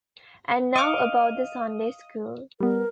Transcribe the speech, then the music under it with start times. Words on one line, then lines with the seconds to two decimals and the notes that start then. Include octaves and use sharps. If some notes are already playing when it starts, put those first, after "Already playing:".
And now about the Sunday school.
0.76 D#5 F5 C#6 D6
2.60 G3 B3 A#4